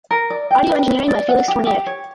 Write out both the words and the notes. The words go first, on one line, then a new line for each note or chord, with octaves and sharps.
Audio engineering by Felix Tournier.
A#4
D5
G5
B4
B4
D5
F#5
G4
G4
C#5